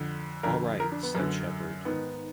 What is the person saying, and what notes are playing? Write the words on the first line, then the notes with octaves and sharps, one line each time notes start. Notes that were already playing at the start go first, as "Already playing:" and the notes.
"All right," said Shepherd.
Already playing: F2 D3
F2 D3 A#4
A#4
D4
B3
F#2 D3
G#2 D#3 B3